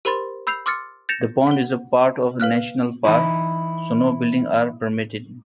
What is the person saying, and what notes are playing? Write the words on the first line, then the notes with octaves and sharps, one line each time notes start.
The pond is part of a national park, so no buildings are permitted.
G4 A#4 C5 B5 C6 A6
B5 E6 G6 C7 F7
C6 D6 E6 F6 A6 C#7
G6 A6 A#6 C#7 E7 F7
F#5 G7
B4 F5 F6 F#6
E3 D#4 E4